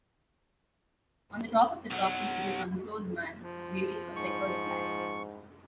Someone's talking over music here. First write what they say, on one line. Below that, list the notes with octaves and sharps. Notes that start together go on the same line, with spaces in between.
On the top of the trophy is an unclothed man waving a checkered flag.
B1 F#3
F3
G#2 C#6